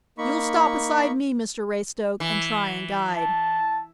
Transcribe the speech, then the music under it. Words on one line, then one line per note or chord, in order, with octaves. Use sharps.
"You'll stop aside me, Mr Raystoke, and try and guide."
A#3 D#4 B5 C#6
E3
A5